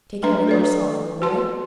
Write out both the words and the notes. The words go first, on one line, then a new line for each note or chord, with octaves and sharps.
Take care of yourself, old boy.
F#3 A3 D4 B4 A#5
A4 B4 D5
F#4 B4 A5 C6